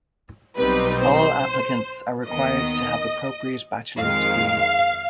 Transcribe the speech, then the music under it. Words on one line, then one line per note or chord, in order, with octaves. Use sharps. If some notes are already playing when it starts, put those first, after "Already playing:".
All applicants are required to have appropriate bachelor's degrees.
B1 B2 G3 C4 D#4 B4
C5
D#2 D#3 B3 D#5
F2 D#3 G#3 F5